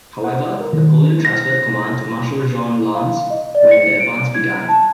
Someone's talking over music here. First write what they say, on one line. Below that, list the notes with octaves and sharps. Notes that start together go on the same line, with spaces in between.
However, Napoleon transferred command to Marshal Jean Lannes when the advance began.
F#5
A#4
D#3
A#6
F5
D#5
D5
C#7
D7
G#6
A5